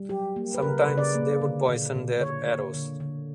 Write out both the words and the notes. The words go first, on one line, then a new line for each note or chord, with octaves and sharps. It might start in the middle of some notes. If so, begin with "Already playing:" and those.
Sometimes they would poison their arrows.
Already playing: G3
F#3 G4
A#3
B4
C#3 A#4
B4
C#3
D5
A#3
D3
A#2
A#2
D3 C#5
A#3
D3
D3